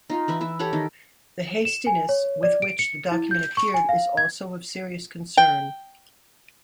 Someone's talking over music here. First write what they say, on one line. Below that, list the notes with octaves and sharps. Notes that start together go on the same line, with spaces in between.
The hastiness with which the document appeared is also of serious concern.
D#4 F4
E3 E4 B4
E4 E5
G4 A4 C#5 F#5
D#3 D#4 D6
E7
G#5
C#5
D5
D7
C#7
E4
G6
C#6
G#5
F5
G#6
G5